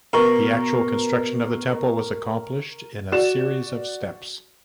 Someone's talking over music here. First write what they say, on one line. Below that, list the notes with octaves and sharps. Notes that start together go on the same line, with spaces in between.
The actual construction of the temple was accomplished in a series of steps.
B2 A#4 C#6
F#4 D5 E7